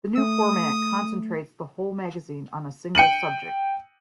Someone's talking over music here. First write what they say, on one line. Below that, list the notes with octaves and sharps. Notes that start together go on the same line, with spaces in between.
The new format concentrates the whole magazine on a single subject.
A3 D#6
G5 C#7 D#7 F#7